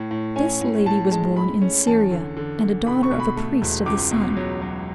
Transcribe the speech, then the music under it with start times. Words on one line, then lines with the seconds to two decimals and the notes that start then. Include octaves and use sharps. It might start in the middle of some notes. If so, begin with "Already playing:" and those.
This lady was born in Syria, and a daughter of a priest of the sun.
Already playing: A2
0.11 A2
0.36 C#4 G#5
0.61 A2
0.86 A2 A5
1.11 G#3 A5
1.36 G#3 B5
1.62 C#4
1.86 E2 A5
2.11 D3
2.37 D3
2.61 D3
2.86 B2 B5
3.03 C#6
3.11 B2
3.20 B5
3.36 A3
3.62 E1
3.86 C#2 D6
4.11 B2
4.37 F#3
4.62 F#3